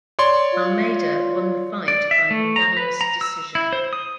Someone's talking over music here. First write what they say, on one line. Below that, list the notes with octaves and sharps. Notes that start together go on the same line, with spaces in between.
Almeida won the fight by unanimous decision.
C#5 D5 C6
F4
D5
E5
A3
A#5
B4
A#5
E6
E4
C5
D#6